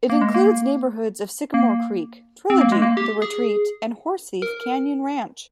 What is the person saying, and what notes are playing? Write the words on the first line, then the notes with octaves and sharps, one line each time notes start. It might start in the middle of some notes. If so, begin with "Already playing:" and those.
It includes the neighborhoods of Sycamore Creek, Trilogy, The Retreat and Horsethief Canyon Ranch.
A#3
G#3
A#3
A#3
C4
A#3
G#3
A#3
G4
G#4
A#4